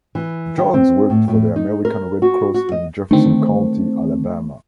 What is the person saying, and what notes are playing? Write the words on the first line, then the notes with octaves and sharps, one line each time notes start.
Jones worked for the American Red Cross in Jefferson County, Alabama.
E3
D#3
C4
A2
A2
D#4
A#4
F#4
F#4
D#5
D3 D#3 A3 C4